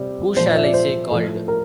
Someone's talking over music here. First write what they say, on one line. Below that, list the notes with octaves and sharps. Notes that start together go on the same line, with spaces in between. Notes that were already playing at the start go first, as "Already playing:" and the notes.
Who shall I say called?
Already playing: C3 G3
A#2 F3 C5
D5
E5
D5
C5
A2 F3
A#4